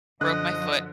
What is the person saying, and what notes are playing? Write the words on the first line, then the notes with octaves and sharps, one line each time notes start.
broke my foot,
F#2 D3 F3 D#5 F#6